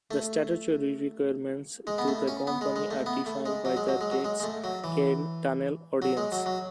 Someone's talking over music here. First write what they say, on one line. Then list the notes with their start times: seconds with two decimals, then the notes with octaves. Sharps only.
The statutory requirements to the Company are defined by the Tate's Cairn Tunnel Ordinance.
0.11 A3
1.87 G#3
1.98 B3
2.08 A3
2.28 C#4
2.47 B3
2.61 G#3
2.76 G#3
2.91 A3
3.06 B3
3.26 A3
3.46 G#3
3.65 F#3
3.77 G#3
3.88 F#3
4.01 G#3
4.11 F#3
4.24 G#3
4.40 G#3
4.43 A3
4.64 F#3
4.84 E3
6.02 F#3
6.17 G#3
6.32 F#3
6.46 F#3